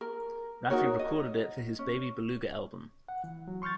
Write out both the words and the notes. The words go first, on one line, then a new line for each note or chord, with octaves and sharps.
Raffi recorded it for his "Baby Beluga" album.
A#4
D#4 F#4 A#4 C#5
D#5
C#4
F#5
E3
F#3
C6 C#6 F6 G6 A6